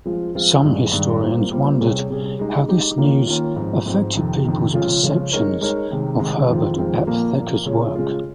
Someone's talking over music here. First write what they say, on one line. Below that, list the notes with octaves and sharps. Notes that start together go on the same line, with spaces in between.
Some historians wondered how this news affected people's perceptions of Herbert Aptheker's work.
F3 G#3 C4 F4
F3 G#3 C4 F4
G2 D#3 G#3
G2 D#3 G#3
G3 A#3 F4 C5
G3 A#3 F4 C5
C3 G3 C#4 G#4
C3 G3 C#4 G#4
G#3 D#4 G4
G#3 D#4 G4
D#3 A#3 C#4 F4
D#3 A#3 C#4 F4
G#2 F3 C4
G#2 F3 C4
F2 C3 D#3
F2 C3 D#3
C#3 F3 G#3 C#4 F4
C#3 F3 G#3 C#4 F4
G#3 D#4 A#4 C#5
G#3 D#4 A#4 C#5
C3 D#3 G#3
C3 D#3 G#3
F2 D#3 G#3 C4 F4
F2 D#3 G#3 C4 F4
A#2 F3 A#3
A#2 F3 A#3
C#3 G#3 C#4 F4
C#3 G#3 C#4 F4